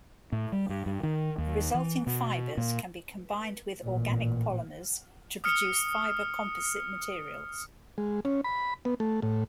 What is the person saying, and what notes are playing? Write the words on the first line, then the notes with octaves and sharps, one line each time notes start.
The resulting fibers can be combined with organic polymers to produce fiber composite materials.
A2
G3
G2
G2
D#3
D#2
E3
B2
A#2
A1 A#2
D#6 F6 C#7
G#3
C#4
B5
B3
A3
A2